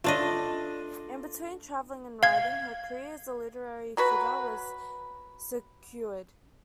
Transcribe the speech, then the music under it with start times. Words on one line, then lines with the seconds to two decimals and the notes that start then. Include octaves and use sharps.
In between traveling and writing, her career as a literary figure was secured.
0.04 A3 D4 F4 D5 D#5
2.23 F5 G#6
3.97 F#3 F#4 B4